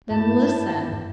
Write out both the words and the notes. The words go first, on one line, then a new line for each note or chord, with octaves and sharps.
"Then, listen!"
G2 E4 A5